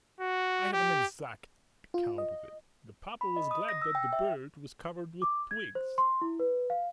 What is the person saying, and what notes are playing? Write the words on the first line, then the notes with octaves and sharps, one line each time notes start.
I have an exact account of it. The papa was glad that the birch was covered with twigs.
F#4
G4
F4
D#5
B5
D#5
D#6
A#6
E6
G5
E5
D6
G#6
C5
C6
E4
B4
F5